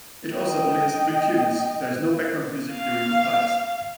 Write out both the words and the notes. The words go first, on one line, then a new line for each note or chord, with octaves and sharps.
It also only has three tunes; there is no background music during the fights.
D#5 G5
F5